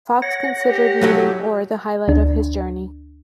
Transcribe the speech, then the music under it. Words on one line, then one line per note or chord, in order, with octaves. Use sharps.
Fox considered meeting Orr the highlight of his journey.
C#5 F#5 A#6
G4
F#2 A2 F#3
D2 D4